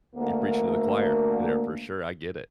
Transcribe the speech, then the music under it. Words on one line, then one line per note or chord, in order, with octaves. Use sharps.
you're preaching to the choir there for sure, I get it.
D2 A#3